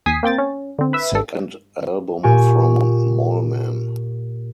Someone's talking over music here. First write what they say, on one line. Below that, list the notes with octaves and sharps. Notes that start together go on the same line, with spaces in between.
Second album from Mallman.
D#2 G#5 D#6 B6 C7
A#3 C4 G5 A6
C#4
D3 C4
B4 E5
G#1 A4
A#2 G4 G#5 C#6